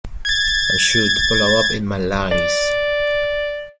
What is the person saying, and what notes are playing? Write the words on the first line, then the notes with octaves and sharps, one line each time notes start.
I'm sure to blow up in my lines.
G#6 A6
D5